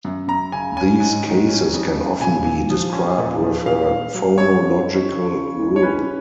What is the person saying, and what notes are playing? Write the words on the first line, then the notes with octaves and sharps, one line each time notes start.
These cases can often be described with a phonological rule.
F#2
F#2 A#5
C#3 G#5
C#4 G#5
G#2
D#3
C#4
F2
C#3
A#2 G#5
A#2
F3
C#4
A#2
F3
A#2 F5
A#2
F#3
F#2 C#5
F#2
D#3
C#3
C#3
G#3
C#5
C#4 B4